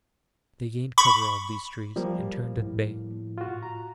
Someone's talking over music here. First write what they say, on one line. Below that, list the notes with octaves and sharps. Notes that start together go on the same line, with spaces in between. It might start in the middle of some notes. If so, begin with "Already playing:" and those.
They gained cover of these trees, and turned at bay.
B5 C#6
F3 G3 A#3
A2
F4 F#4
A#5